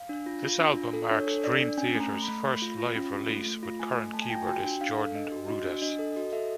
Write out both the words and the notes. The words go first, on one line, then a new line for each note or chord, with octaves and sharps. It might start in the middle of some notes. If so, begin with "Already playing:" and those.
This album marks Dream Theater's first live release with current keyboardist Jordan Rudess.
Already playing: F5
D4
F4
F4
D4
F4
A4
D4 C#5
A4
D4 D5
D4
C#4 G#5
A3
A#5
A3
B5
A3
A3
F4
F4
C#4
F4
A3
A3
F4
A3 G#5
A3
A3 A5
G#5
F4 G5
G#5
F#4 G5
D4
D4 F5
A4
D4 D#5
F#4
F#4 D#5
D4
D4 D#5
A4 D#5
F#4 D#5
A4 E5